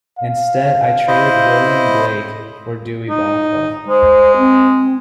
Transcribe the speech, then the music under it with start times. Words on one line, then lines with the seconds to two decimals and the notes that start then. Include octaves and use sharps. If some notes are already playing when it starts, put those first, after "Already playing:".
Instead I traded William Blake for Dewey Balfa.
0.18 F5
1.08 E4 C5 D#5
3.09 D#4
3.88 G#3 C5
4.38 C4